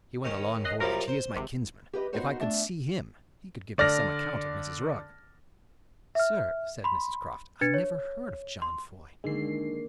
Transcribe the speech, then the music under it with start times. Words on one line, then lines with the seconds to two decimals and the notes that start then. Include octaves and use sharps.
He went a long voyage; he is my kinsman. If I could see him, he could give me some account of Mrs. Rugg." "Sir," said Mrs. Croft, "I never heard of John Foy.
0.24 D#3 C#4
0.64 D#5 F#6 C7
0.80 F#2 F3 G3 A#4
1.08 C5
1.35 G#1 C3
1.93 G4 B4 D#5
2.13 B3 D#4 F#4 A#4 C5 C#5
2.40 A3 D4
3.78 D3 D5 F6 A#6
6.15 E5 F6
6.84 B5 C6
7.61 D4 B4 G#6 A6 C#7
7.74 C#5
8.62 C6
9.24 D3 D#3 G#3 A#3 D4 D#4 C7